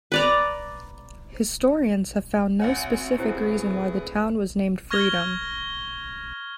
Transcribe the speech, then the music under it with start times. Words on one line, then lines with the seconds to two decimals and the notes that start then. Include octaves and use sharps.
Historians have found no specific reason why the town was named Freedom.
0.12 B4 D5 A#5
2.60 A1 A#2 C4 F#4 C#5 F#5 G#5
3.18 A3 E4 G4 G#4 B4 C5
4.91 C#6 F6 G#6 A#6 F7 G7